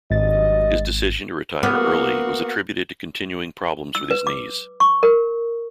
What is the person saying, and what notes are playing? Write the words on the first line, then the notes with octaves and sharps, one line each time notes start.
His decision to retire early was attributed to continuing problems with his knees.
G#1 G2 F#3 D#5 A6
A#3 B3 F#4 D6 D#6 F6
E6
B4
D6
C#6
A#4